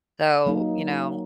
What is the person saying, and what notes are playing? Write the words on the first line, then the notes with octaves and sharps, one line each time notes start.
So, you know
F#3 A#3 D#4